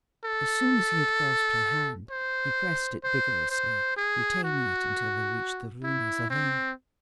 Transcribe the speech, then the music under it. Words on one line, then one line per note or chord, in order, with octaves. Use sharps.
As soon as he had grasped her hand, he pressed it vigorously, retaining it until they reached the Rue Mazarine.
A4
C5
C5
C5
G#4
F#4
E4
C4